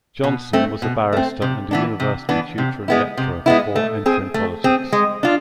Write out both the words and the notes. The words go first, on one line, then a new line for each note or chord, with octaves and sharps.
Johnson was a barrister and a university tutor and lecturer before entering politics.
B2
A3 C4
B2
A3 C4
C3
E3 B3 D4
C3
E3 B3 D4
C3
G#3 B3 E4
C3
G#3 B3 E4
A3
C4 G#4
A3
C4 G#4
G#3
D4 F4